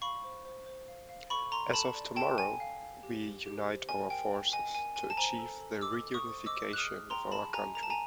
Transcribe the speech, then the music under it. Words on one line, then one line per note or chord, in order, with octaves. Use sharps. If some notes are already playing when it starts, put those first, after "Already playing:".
As of tomorrow, we unite our forces...to achieve the reunification of our country.
F5 B5 C#6
C5
C5
C5
F5
F5
A4 B5 C#6
A4 A#5 C6
A4 A5 B5
D5
A4 G5 A5
G5 G#5
F5
F5
G4
G4
G4
C5
A#4 G#5
A#4 G5
G5
D#5 G#5
A#4 G#5
A#4 G#5
A5
C5 G#5 A#5
A4
A4
D#5 D6 E6
A4
C#6 D#6
C5
D#5 D6 E6
G#4
F#6
D#6 F6
G#4
G5 A#5 C6
G#4 A5 B5
D#5 G#5 A#5
A#4 A#5
A5
G#5 A#5